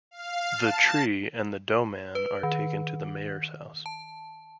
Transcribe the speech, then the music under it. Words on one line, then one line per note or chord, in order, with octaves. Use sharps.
The tree and the dough-man are taken to the mayor's house.
F5
A5
B4
D#3
A5